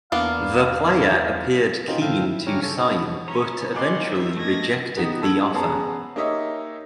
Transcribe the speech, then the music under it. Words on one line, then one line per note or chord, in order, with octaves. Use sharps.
The player appeared keen to sign but eventually rejected the offer.
E2 A#3 B3 D4 F5
D#3 C4 C#4 D#4 F4
A2 F3 E4 A4 F5 G5
E4
D3 C#4 G4 C#5 A#5 F6
C#3 A4 C#5
B3 C4 D#4 D#5
C#4 B4 C#5 E5 A#5
D#3 A#3 F#5 G#5 C6 D6
C5 E5
D#3 A3 B3 G#6 A#6
B3 D#4 G4 B4
A4 E6 G#6 F#7
B3 C#4 G#4 B4 A5 A#5
A#3 D#4 G4 C#5 D#5 E5